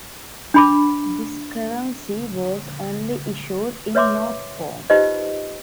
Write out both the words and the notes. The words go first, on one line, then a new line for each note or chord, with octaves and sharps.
This currency was only issued in note form.
D4 B5 D6
B4 C#5 E5 C6 D6
D#4 F4 G4 B4 C5 D#5